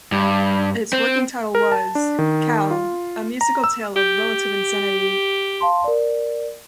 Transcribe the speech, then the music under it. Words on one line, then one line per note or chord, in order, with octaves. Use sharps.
Its working title was "Cal: A Musical Tale of Relative Insanity".
G2
C4
A#4
A5
D4
D#3
F4
A#5
E6
G4 G6
F5 A5 C6
A#4 D5